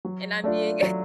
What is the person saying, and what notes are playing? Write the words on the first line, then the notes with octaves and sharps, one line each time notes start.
and I'm being
F#3
A3 D4 F4
F#3